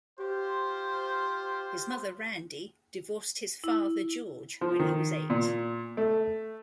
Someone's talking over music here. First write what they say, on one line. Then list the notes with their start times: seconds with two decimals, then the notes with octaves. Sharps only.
His mother, Randy, divorced his father, George, when he was eight.
0.20 F4 G4 C5
3.64 E4
4.61 F3
4.79 D#3
5.30 A#2
5.97 A3